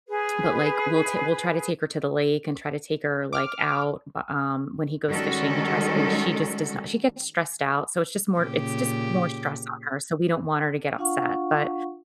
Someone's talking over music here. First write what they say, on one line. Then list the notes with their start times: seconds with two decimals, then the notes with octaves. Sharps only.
but, like, we'll t we'll try to take her to the lake and try to take her, like, out, bu um, when he goes fishing, he tries to and she just does not she gets stressed out, so it's just more it's just more stress on her, so we don't want her to get upset, but,
0.08 G#4 B4
3.33 D6 F6
5.08 D#3 G3 G#3 C#4 F#4 A4
8.38 A#2 C#3 G4
10.98 D4 F4 F5 F#5 C#6